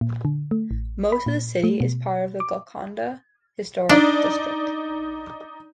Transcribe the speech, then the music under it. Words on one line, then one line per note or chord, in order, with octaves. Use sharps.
Most of the city is part of the Golconda Historic District.
A#2
D3
A3
A1
B5
A#2
A3
B2
D6
D4 D#4 D5